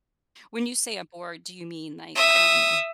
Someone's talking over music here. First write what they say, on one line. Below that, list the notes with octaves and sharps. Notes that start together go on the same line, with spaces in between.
When you say a board, do you mean like, um,
E5 D#6